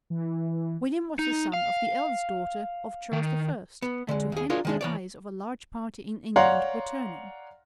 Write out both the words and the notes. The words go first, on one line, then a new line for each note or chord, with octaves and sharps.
William was the son of the eldest daughter of Charles I, and to him the eyes of a large party in England were turning.
E3
D#4
F5
D#3
B3
D3 G#3
D#2 G#4
D4 F4 G#4 A#4 C#5
D#3 G#3 D4
E3 C#5 D5
C#5 D5 F5 F#5 A#5 C6